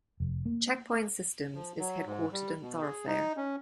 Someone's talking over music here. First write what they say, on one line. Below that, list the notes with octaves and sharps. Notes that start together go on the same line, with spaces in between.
Checkpoint Systems is headquartered in Thorofare.
F1
A#3
F3
F#3
G#2
G3
B2
G#4
D#4
C#4